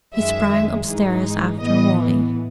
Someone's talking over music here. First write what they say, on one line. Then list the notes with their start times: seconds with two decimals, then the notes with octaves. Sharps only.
He sprang upstairs after Wally.
0.15 F#2 D#3 G#3 E5
0.87 G#2 E3 G#3 D#4
1.60 A2 E3 B3 D#5